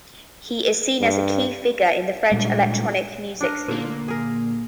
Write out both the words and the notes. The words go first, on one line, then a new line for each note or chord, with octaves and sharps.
He is seen as a key figure in the French electronic music scene.
G2
A#2 G3 G#3
D4 A#4
A#2 D3 A#3
G#4 A#4